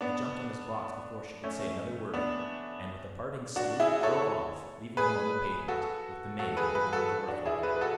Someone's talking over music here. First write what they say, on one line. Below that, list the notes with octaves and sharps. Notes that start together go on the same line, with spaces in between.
He jumped on his box before she could say another word, and with a parting salute drove off, leaving them on the pavement, with the maid holding the door for them.
B3 D4
A3 C#4
B3 D4
D4 F#4
E4 G#4
A4 C#5
G#4 B4
F#4 A4
F#4 A4
G#4 B4
G#4 B4
F#4 A4
D4 F#4
E4 G#4
G#4 B4
B4
F#4 A4